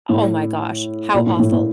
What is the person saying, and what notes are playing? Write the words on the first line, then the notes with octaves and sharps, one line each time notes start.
oh my gosh, how awful.
A2
A#2
A2
A2
A2